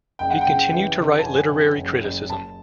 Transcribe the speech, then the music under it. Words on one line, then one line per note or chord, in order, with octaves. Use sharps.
He continued to write literary criticism.
F#1 G5
F#5
G5
C#3
E3
C#3
A5
F#2 G#5
C#3
F#1
F#1
F#1 A5